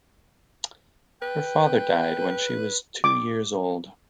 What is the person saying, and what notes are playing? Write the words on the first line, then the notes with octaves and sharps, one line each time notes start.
Her father died when she was two years old.
B4 G5
D6